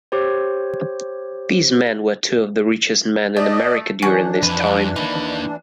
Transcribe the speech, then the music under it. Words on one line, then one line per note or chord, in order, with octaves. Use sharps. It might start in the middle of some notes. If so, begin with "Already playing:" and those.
These men were two of the richest men in America during this time.
G4 C5 C#5
A3 D5 D#5
E3 C#4 D4 G#4 F#5
F2 B4
A#3 D#4 B4